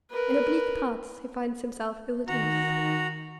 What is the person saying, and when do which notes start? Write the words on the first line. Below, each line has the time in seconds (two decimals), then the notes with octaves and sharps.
In oblique paths he finds himself ill at ease.
0.10 A#4 B4
2.28 D#3 F#4 A#5